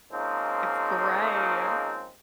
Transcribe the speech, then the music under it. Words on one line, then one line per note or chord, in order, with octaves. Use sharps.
It's gray.
C#3 F3 G#3 A#3 C4 D#4